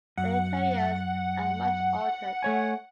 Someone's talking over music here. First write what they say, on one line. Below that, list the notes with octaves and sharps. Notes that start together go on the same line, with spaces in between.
The interiors are much altered.
F#2 F#5
A3 C#5 G#5